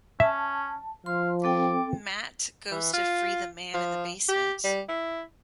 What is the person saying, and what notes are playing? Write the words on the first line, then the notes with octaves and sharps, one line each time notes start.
Matt goes to free the man in the basement.
C#4 E5 A5
F3 F5 C6
C4 A4 G5 D6
E3
F4
F3
G4
G3
E4